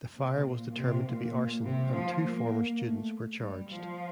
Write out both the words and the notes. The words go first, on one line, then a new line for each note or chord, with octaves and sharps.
The fire was determined to be arson, and two former students were charged.
C3
A#2
C3
A#2
C3
F3
A#3
A3
G3
F3